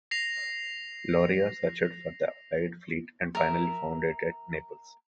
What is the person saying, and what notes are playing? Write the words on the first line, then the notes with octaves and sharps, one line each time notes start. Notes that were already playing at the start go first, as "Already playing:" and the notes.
Lauria searched for the allied fleet and finally found it at Naples.
A#6 C7 F7
A#4 E5